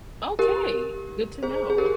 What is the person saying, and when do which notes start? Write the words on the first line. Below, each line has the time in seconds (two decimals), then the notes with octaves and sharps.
Okay. Good to know.
0.39 G4 A#4
1.43 G#4 C5
1.70 G#4
1.78 G4 A#4